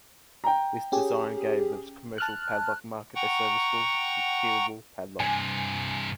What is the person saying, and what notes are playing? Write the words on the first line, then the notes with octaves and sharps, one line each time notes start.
This design gave the commercial padlock market a serviceable, rekeyable padlock.
G5 A#5
C#4 G4 G#4
A5 F6 F#6
F#5 G5 A#5 C#6
G2 C3 G#5